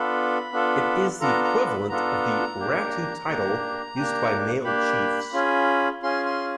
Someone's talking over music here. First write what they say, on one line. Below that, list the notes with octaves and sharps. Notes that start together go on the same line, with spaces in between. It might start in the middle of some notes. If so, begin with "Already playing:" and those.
It is the equivalent of the "Ratu" title used by male chiefs.
Already playing: B3 D4 F4 A4 B5
B3 D4 F4 A4
B3 D4 F4 A4 A#5
A#5
B5
B3 D4 F4 A4 A#5
A#3 D4 G4
A#3 D4 G4
A#3 D4 G4
A#3 D4 G4 B5
C#4 F4 G#4
C#4 F4 G#4 C6
C6